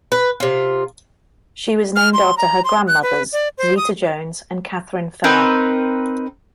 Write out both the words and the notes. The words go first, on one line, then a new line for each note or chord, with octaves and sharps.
She was named after her grandmothers, Zeta Jones and Catherine Fair.
B4
C3 F4
F6
C6
A#5
C6
F#6
B4
D5
C5
D#6
C4 D#4 A#4 B4